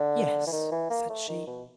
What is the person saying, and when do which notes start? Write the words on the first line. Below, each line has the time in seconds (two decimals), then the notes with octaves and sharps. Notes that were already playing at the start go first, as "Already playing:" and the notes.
"Yes," said she.
Already playing: D3
0.47 E3
0.52 D#3
0.72 E3
0.90 A#3
1.09 A3
1.28 D#3
1.47 B2